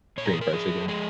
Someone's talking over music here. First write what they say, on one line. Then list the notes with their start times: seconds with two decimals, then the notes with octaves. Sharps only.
Korean fried chicken.
0.18 A#2 C#5
0.25 A#4
0.33 G#4
0.41 A#4
0.53 F3 G#4
0.88 G#3 G#4